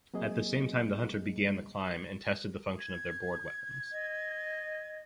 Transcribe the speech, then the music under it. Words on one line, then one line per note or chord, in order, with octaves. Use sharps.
At the same time the hunter began the climb and tested the function of their board weapons.
F#3 A#3 C4 G#4 D#5
G#6
D#5